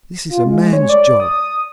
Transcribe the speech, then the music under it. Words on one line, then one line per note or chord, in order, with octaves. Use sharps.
This is a man's job.
F4
G#3
C#5
D5
D#6